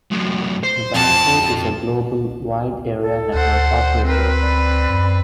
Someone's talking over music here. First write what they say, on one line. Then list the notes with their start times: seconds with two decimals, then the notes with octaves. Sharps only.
Vanco is a global Wide Area Network Operator.
0.11 F#2 A2
0.63 C5
0.94 F2 A5
3.02 A4
3.35 D2 C5 F#5
4.05 C4 A#4 B4 G5 C6
4.41 D5 B5
4.90 F#2